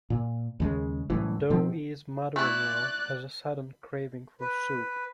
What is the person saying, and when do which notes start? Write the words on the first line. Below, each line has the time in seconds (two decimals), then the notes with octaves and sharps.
Dou E's mother-in-law has a sudden craving for soup.
0.10 A#2
0.60 D#2 C#3 G#3
1.10 C2 F#2 A2 E3
1.50 B2 F3 C4
2.36 A3 E4 D5 F#6
4.41 B4